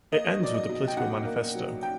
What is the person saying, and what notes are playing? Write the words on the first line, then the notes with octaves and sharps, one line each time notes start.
It ends with a political manifesto.
A#3 D#5
F#3 D5
D#5
B2
G5
B2 F#5
A#3
F#3
G5